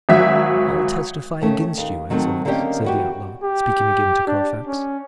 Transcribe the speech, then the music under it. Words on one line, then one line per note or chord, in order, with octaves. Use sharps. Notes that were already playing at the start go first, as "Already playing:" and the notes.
"All testify against you, excellence," said the outlaw, speaking again to Carfax.
G#1 F#3 F#4 E5 B6
D#2 A3 C#4
D#2
D#3 F#3 A3 C4
D3 A#3 C4 C#4 G4 D#5
E3 F#4 G4
G4
D4
C#4